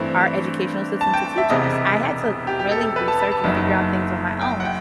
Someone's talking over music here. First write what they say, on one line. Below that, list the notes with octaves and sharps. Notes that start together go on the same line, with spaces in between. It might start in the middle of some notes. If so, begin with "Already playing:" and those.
our educational system to teach us. I had to really research and figure out things on my own,
Already playing: G2 E3 A3 C4
A5
G5
E5
E1 E2 C3 D#5
G4
G4
A4
A4
B4
A5
B5
A5
F#1 F#2 F#3 B3 D#4
G5
F#5
G5